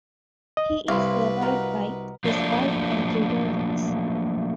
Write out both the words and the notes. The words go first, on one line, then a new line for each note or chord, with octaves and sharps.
He is survived by his wife and three daughters.
D#5
C2 E4 B4 F5 B5 C6
F#4 A#4 D#5
F3 F#3 A3 A#3 D4